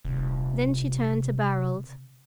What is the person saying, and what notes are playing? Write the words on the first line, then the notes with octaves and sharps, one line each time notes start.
Then she turned to Barold.
D#1 C3